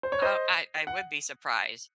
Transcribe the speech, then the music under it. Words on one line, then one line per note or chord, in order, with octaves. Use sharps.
Oh, I I would be surprised.
C5
C#5
C5 D#5
F#5